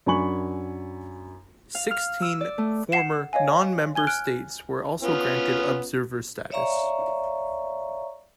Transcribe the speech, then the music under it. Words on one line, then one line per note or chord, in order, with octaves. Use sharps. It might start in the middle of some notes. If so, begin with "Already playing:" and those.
Sixteen former non-member states were also granted observer status.
F#2 D4 G#5 B5 C#6 F#7
F5
F6
E6
D5
A3
F#5 C7 E7
C#5 D#5 F5 G#5
G#5 G#6 G7
F6 F#6 D7
B3 C#4 F4
C#5 D5 E5 F5 A#5 C#6